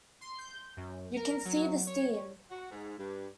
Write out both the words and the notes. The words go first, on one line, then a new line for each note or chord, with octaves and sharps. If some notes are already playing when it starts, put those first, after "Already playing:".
You can see the steam.
C6
G6
F#2
A#4
F#3
C#5
F#4
G#2
G2